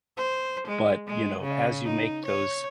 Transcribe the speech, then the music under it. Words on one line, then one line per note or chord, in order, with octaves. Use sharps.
But, you know, as you make those,
C5
G#3
G#3
C#3
D#4
C#5